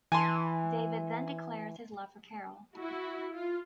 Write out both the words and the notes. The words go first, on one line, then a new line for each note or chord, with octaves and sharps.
David then declares his love for Carol.
E3 G#5 A5 C6
E4 F#4
F4